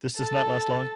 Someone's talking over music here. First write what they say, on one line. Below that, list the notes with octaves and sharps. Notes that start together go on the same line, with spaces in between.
This does not last long.
A4 A5